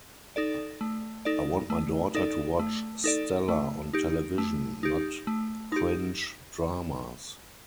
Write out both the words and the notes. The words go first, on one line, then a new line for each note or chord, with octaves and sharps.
I want my daughter to watch Stella on television, not cringe dramas.
D#4 A4 D5
A3
D#4 A4 D5
A3
D#4 A4 D5
A3
D#4 A4 D5
A3
D#4 G4
A3
D#4 G4
A3
D#4 G4